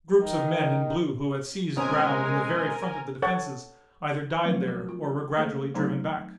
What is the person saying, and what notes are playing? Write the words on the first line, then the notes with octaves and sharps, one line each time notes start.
Groups of men in blue who had seized ground in the very front of the defenses either died there or were gradually driven back.
D#3
B2 G#3 C4 C#4 A#4 G#5 D#6
A4 C#5 F#5 A5
F3 F#3 A3 C4 F4
F#4 A#4
F4
A3 A#3 G#4 A4 C5
F#3 A3 C4 D#4 C5 A#5